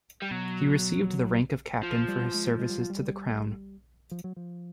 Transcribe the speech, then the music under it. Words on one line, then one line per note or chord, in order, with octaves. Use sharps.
He received the rank of captain for his services to the Crown.
G3
B2 F#3
F3
G3
G#3
G#3
G3
F#3
G3
F3
F#3
F3